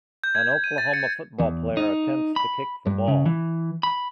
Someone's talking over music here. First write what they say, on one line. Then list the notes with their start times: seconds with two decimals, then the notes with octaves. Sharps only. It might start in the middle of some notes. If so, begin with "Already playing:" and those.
An Oklahoma football player attempts to kick the ball.
0.24 G6
0.35 G#6
0.51 G6
0.64 D#7
0.78 A6
0.94 C#7
1.40 E2
1.77 D#4
2.36 B5
2.87 G2
3.08 C#3
3.26 E3
3.83 B5